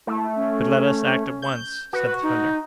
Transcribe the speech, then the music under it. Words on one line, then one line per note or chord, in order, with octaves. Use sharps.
"But let us act at once!" said the hunter.
A3 E4
C#4
G6
F#4 B4
D#4